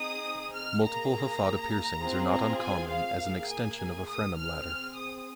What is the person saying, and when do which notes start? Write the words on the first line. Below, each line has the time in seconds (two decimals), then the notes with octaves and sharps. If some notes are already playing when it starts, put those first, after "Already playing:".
Multiple hafada piercings are not uncommon as an extension of a frenum ladder.
Already playing: C4 D#4 G#4 D#6
0.54 F6
0.84 A#3 G#4 A#5
1.13 A#5
2.01 C4 F4 G#4
2.31 A#5
2.60 G#5
2.90 F5
3.19 A#3 G#4
3.49 G#5
4.07 D#6
4.37 C4 G#4 F6
4.96 D#6